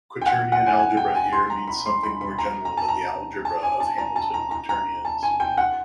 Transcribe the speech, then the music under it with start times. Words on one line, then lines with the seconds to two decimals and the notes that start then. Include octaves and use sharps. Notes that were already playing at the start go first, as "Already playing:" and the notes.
"Quaternion algebra" here means something more general than the algebra of Hamilton quaternions.
0.21 G5
0.26 F#5
0.52 F#5
0.66 G#5
0.79 G#5
0.97 G5
1.15 G#5
1.33 C6
1.50 A#5
1.67 B5
1.86 C6
2.03 B5
2.21 B5
2.38 A#5
2.65 A#5
2.77 A5
2.88 A#5
3.45 A5
3.63 G#5
3.80 A5
3.98 A#5
4.16 A5
4.34 A#5
4.51 A#5
4.69 A#5
5.05 A5
5.23 G#5
5.40 G5
5.58 F#5